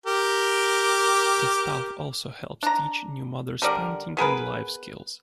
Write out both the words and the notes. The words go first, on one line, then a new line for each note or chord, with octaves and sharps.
The staff also helps teach new mothers parenting and life skills.
G4 A#4 D6
D4 A#5
D3 G3 A#4 D5
B3 G#4 A#4 B4